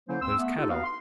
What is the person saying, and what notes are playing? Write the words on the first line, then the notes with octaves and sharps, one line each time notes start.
'There's cattle!
D3 F#3 A#3 C#4 E4 C5
D#2 C4 C6 E6
A3 B3
D4 D#4 F4 G4 A4
A#3 B3 F#4 B4 F5
C6